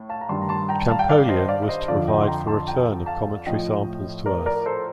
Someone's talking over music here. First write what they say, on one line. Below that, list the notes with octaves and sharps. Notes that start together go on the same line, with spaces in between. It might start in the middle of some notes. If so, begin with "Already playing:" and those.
Champollion was to provide for return of cometary samples to Earth.
Already playing: A2
F5 A5
A#5
G2 D#3 G3 A5 C6
A#5
A5 C6
G5 A#5
F5 A5
G5
D5 F5
C5 D#5
D5 F5
F5
C5 D#5
F2 D3 F3 D5 F5
D#5 G5
C6
G5 A#5
A5 C6
A5
G5 A#5
F5 A5
A2 F3 D#5 G5
A#4 D5
A#4 D5
A4 C5